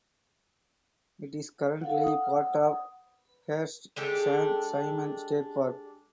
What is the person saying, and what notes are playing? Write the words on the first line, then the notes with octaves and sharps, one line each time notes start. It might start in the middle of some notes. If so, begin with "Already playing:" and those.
It is currently part of Hearst San Simeon State Park.
A4 F5 F#5
F#5 D#6
G#3 D4 G4 A4